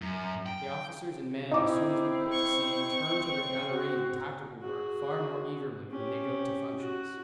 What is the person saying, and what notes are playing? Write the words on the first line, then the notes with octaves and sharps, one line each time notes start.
The officers and men as soon as we put to sea turn to their gunnery and tactical work far more eagerly than they go to functions.
F#2
G5
C4 D#4 E4 D6
C#6
F#4
F#4 G#4
C#4 G4
F#4